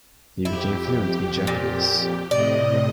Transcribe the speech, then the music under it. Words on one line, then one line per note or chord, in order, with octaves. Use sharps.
He became fluent in Japanese.
F2 E4 G4
A#2
A2 C3 D5 D#5